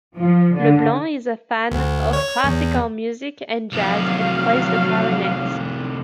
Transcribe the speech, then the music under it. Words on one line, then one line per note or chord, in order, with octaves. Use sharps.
Leblanc is a fan of classical music and jazz and plays the clarinet.
F3
D3
D2
C#5
E2
C2 A2 F#3 F5